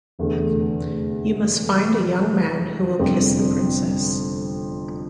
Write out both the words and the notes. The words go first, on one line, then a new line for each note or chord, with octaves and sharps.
You must find a young man who will kiss the princess.
F1 E2 D3 A3
G1 F2 C3 G3